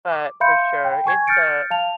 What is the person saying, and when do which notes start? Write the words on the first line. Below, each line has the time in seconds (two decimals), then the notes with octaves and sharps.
but for sure, it's, uh
0.12 D6
0.40 E5 F5 B5 C6 G6 C#7
0.85 G5
1.05 G#5 C#6 G#6
1.27 F6 G6 A6 C#7 D7
1.70 F5 A5 F7